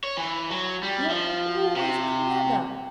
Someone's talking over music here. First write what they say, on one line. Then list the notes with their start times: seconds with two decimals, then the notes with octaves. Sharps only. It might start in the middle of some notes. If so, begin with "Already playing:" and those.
You're always clevah.
0.04 C#5
0.17 E3
0.51 F#3
0.83 G3
1.10 F3
1.76 C3